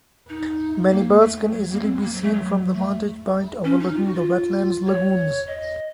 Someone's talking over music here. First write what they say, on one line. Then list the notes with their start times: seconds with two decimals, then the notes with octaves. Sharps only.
Many birds can easily be seen from the vantage points overlooking the wetland's lagoons.
0.29 D#4
0.91 A#3
1.21 A3
1.52 F#3
1.72 A#3
1.82 C4
2.02 A#3
2.13 F#3
2.23 A3
2.33 F#3
2.73 A3
3.64 C#4
3.80 D#4
3.95 F4
4.05 F#4
4.15 F4
4.86 C#5
5.47 D#5